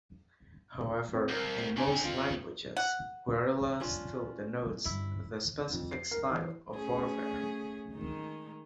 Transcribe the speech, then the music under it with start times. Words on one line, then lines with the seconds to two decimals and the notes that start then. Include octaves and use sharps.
However, in most languages "guerrilla" still denotes the specific style of warfare.
1.14 C4
1.29 C2 A#4 G6
1.77 F2 D4 G#5
2.05 F4
2.77 F#5
3.80 C#4 D4 F4
4.85 G2 D3 E4
5.73 F2
5.91 C7
6.11 A#4
6.31 E3
6.74 A3 C#4 G#4
7.94 D#3 G#3 D#4